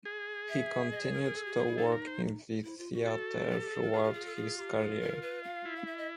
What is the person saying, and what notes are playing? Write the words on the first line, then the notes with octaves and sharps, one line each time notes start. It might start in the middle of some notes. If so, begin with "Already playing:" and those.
He continued to work in the theatre throughout his career.
G#4
E5
D#5
D5
A#4
A#4
A4
G4
F4
E4
D#4 A4
A#4
C5
E4
F4
F#4
A4
G4
G4
G#4
A#4
F4 G#4
G4
G#4
A4
G#4
G4
G#4
A#4
B4
F5
E4
F5
E5
D#5